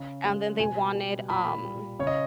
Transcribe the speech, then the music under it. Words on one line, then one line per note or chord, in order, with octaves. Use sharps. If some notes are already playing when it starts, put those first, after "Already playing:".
and then they wanted, um,
Already playing: C#3
G#3
B2 G#5
G3
A#2 B5
G3
C#3 C#5
D#5